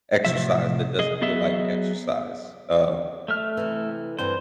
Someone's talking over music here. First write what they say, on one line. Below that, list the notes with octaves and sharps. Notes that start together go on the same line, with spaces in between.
exercise that doesn't feel like exercise. Um.
A2 C3 F3 E5
G#4 D#5
F#3 B3 G#4 D#5 E5
A3 E5 F6
C3 E3
G2 E3 C4 C5